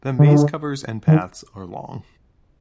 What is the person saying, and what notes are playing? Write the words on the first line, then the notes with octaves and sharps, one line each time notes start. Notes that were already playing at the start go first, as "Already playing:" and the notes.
The maze covers and paths are long.
D3
D#3